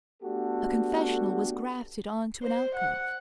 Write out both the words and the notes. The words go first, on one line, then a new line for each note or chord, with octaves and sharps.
A confessional was grafted on to an alcove.
A3 B3 D4 F#4 G4 A4
C5
F#5